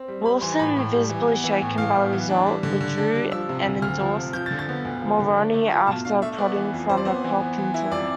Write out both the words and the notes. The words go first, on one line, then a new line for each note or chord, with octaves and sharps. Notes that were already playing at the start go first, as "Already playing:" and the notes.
Wilson, visibly shaken by the result, withdrew and endorsed Mulroney after prodding from Pocklington.
Already playing: C4
G3
G3 B5
E3 C6
A2 B5
A2
G3
E3
B3
E3
A2
A2 F5
B3
E3
D4
G3
D3
D3
D4
G3
F3 E6
C3
D2
D2 F6
F3
C3
F3 G6
A6
D3
A6
B3
D2
F3
D3
D4
A3
F4
B2 A5
D4 F5
A3 E5
B3 D5
E3
F2
F2 C5
D5
B3 C5
E3
B3
E3
E4
F2 D5